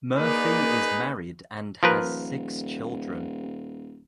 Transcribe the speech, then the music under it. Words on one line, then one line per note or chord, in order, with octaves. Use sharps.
Murphy is married and has six children.
A#3 D#4 G#4 B4 D5
D#2 F3 A#4 B4
D#1